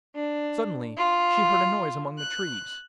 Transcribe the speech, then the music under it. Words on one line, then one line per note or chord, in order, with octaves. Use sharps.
Suddenly she heard a noise among the trees.
D4
F4
F#6